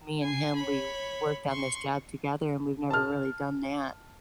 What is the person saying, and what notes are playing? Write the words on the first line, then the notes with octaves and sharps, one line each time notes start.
me and him, we worked on this job together, and we've never really done that,
G#5 C7
C#5 B5
C6 C#6
A5 F6